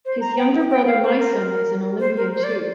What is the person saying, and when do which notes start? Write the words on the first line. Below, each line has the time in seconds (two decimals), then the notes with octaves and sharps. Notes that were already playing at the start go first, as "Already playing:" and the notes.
His younger brother Meisam is an Olympian too.
0.05 C5
0.21 A#5
0.38 G5
0.70 G5
0.87 F5
1.03 C5
1.18 A#4
2.00 C5
2.17 A#4
2.33 C5
2.44 D5